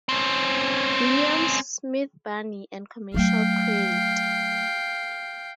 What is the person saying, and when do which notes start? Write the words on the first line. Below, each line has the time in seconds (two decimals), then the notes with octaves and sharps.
Williams, Smith Barney and Commercial Credit.
0.09 C4 C#4
3.14 F#3 A3 F5 G5